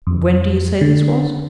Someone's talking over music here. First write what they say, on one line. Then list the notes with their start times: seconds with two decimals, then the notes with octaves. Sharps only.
"When do you say this was?"
0.07 F2
0.81 D3